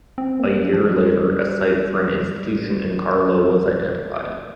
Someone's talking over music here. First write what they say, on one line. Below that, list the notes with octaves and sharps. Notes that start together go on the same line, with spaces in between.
A year later, a site for an institution in Carlow was identified.
C4
A#3
F3
G3